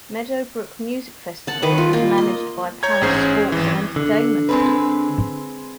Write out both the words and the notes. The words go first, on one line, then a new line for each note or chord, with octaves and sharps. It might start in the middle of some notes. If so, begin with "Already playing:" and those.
Meadow Brook Music Festival is managed by Palace Sports and Entertainment.
F#5 A5
D#3 B4 D#5 D6
F4
A#3 F4
D#5
C#5 A#5 G6 G#6
A1 G#2 C#4 G#4 C5 C7
G#1 E3
D3
G#3 C4 B4